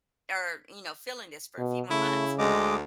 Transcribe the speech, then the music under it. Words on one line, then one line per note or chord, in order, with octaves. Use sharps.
or you know feeling this for a few more months,"
B2
C#3 A3 E4
D2 G#3 D#5 D6